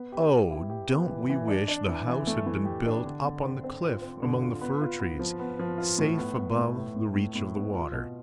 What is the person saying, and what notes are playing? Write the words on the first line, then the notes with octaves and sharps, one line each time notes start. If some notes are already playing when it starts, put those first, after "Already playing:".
Oh, don't we wish the house had been built up on the cliff among the fir-trees, safe above the reach of the water!
Already playing: B3
G4
G4
E4
G4
B3
E3
E3
D4
D4
E3
E3
A3
E3
G4
D4
D3
D3
C4
C4
F4
C4
D3
F4
B3
F4
B3
F3
B3
F3
F4
A2
B3
B3
A2
A2
A2
A2
A2
B3
F4
B2